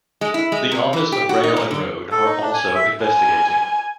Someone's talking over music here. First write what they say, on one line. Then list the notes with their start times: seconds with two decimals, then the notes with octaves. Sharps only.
The Office of Rail and Road are also investigating.
0.21 G#3
0.34 E4
0.52 G#3
0.71 C3
0.93 E3
1.12 G4
1.29 F#4
1.44 D#4
1.57 A#2
1.71 D3
2.11 A4
2.26 D#4
2.42 D4
2.54 G#5
2.75 E5
3.05 G#5